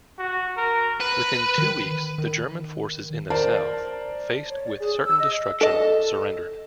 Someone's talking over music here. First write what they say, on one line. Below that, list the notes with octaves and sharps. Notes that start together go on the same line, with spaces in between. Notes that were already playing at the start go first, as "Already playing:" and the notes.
Within two weeks the German forces in the south, faced with certain destruction, surrendered.
F#4
A#4
B4
D#3
D#3
A#4 C5 D5 A5
C#5
D5
G#4
E6
D#5
A4 D#5